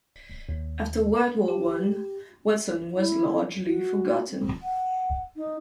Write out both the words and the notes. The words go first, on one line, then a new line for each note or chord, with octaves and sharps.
After World War One Watson was largely forgotten.
D#2
G4
E4
F#4
C4
F#5
D#4